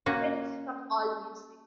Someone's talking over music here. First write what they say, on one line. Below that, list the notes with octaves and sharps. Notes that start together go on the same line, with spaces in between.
Credits from Allmusic.
A#3 C#4 F#4